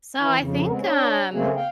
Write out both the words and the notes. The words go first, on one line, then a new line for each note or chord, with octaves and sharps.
So, I think, um
E3 E4
F2 C#3
G#3 B3 C4
D4 C#5
C#3 A3 A#3 C4 G#4
F5 G5